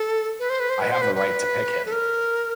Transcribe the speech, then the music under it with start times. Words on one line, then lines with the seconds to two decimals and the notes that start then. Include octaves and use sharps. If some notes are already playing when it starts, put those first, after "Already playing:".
I have the right to pick him.
Already playing: A4
0.39 B4
0.50 C5
0.60 B4
0.70 C5
0.80 B4
0.91 C5
1.02 B4
1.16 B4
1.86 A4
1.92 A#4